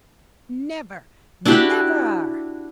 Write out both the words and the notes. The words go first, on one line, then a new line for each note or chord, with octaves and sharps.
Never, NEVER!'
D4 E4 F#4 G4